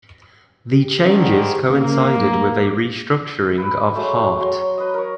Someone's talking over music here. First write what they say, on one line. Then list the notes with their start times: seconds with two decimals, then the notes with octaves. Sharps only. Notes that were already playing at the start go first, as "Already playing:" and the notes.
The changes coincided with a restructuring of Heart.
0.73 G4
1.06 G#2 D3 D#3 C#4
1.37 G4
1.70 C#3 A#3 C#4
2.18 F#3 A3
2.60 D6
3.58 B4 B5 D6
3.96 F#3 G#3 A3
4.40 F#3 C#5 A#5 C6
4.78 B4 D#5
4.94 A#4 C#5